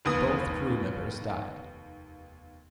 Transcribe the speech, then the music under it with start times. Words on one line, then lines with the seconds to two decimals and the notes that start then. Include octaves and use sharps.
Both crew members died.
0.05 F1 D#2 B3 D#6